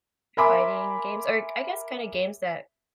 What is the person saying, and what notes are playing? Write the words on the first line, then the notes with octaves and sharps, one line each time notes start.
fighting games or I guess kinda games that
A#4 E5 G#5 B5 C6 D6